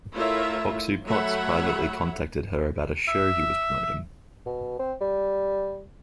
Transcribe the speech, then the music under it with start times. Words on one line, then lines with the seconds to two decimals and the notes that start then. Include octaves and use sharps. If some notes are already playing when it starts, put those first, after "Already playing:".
Boxu Potts privately contacted her about a show he was promoting.
0.13 A3 E4 F4 A#4 C#5 E5
1.05 F#3 A3 C#5 E5 F#5 B5
3.08 E5
4.46 B2
4.79 C4
5.01 G3